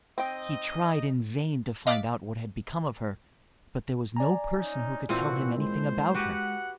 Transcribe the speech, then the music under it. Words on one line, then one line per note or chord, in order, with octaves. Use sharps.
He tried in vain to find out what had become of her, but there was no person who could tell him anything about her.
C4 D#4 D#5 G5
D#5 F5 D6 F#6 A6 B6
D5 G#5 A#5
C#4 D#4
A#2 E3 C4 F#4
G#3 C5
F#4 G4 B4 F#5